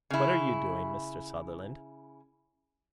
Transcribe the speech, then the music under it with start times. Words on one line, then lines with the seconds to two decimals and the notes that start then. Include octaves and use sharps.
"What are you doing, Mr. Sutherland?"
0.10 C#3 E4